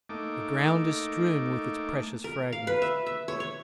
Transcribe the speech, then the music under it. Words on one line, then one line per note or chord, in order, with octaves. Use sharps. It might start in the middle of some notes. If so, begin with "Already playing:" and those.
The ground is strewn with its precious fragments.
A3 A#3 D#4 D6
A#4
F5
B4
E5
E5
C#5
C#5